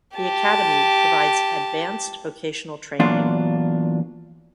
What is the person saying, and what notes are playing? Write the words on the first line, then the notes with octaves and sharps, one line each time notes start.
The academy provides advanced vocational training.
G4 A5
E2 A#2 F#3 D4 F4